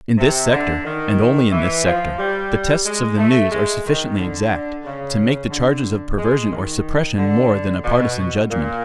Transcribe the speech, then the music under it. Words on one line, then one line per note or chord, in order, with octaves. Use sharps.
In this sector, and only in this sector, the tests of the news are sufficiently exact to make the charges of perversion or suppression more than a partisan judgment.
C3
D3
D#3
E3
F3
G3
G#3
A3
G#3
D#3
D3
C#3
D3
G#3
D#3
D3
B2
A#2